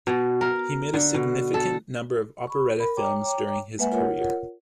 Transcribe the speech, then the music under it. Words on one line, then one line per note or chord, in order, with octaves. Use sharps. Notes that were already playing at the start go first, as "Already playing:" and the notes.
He made a significant number of Operetta films during his career.
B2
A#4
D3
B2
A4
B5 C#6
A#4 B5
C#5 G5 A#5 D6
G#3 A#3 B4 E5 F#5 G#5
F4 A#4 C#5 F#5